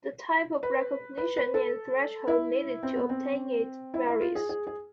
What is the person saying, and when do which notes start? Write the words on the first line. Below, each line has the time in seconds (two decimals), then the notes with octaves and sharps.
The type of recognition and threshold needed to obtain it varies.
0.63 B4
1.18 B4
1.37 B4
1.54 A4
2.28 E4
2.83 C4
2.96 B3
3.09 C4
3.94 E4
4.08 E4
4.21 F4
4.35 G#4
4.49 G#4
4.67 G#4